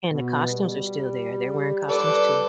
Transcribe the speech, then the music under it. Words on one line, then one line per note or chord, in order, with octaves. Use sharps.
And the costumes are still there, they're wearing costumes too.
B2
G3
A4 B4 D5